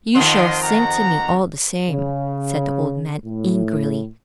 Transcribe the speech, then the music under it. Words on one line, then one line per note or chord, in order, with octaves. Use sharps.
"You shall sing to me, all the same," said the old man, angrily.
F2 D#3 F#5 C6 D#6
F#5 A#5
C#3
A2